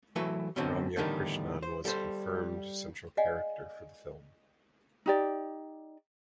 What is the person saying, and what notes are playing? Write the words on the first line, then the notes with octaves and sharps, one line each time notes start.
Ramya Krishnan was confirmed central character for the film.
E3 F#3 A3 E4 B4
G#2 B2 D3 F#3 C4
E2 A2 D3 D#3 G3 D#4
C5
G3 A4 C5
G#4 D5 D#5 F5 F#5 G#5
D#4 G4 D5